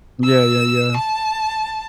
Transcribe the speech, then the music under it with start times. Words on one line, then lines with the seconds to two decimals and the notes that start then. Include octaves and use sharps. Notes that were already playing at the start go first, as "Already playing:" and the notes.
Yeah, yeah, yeah.
0.25 E6
0.97 A5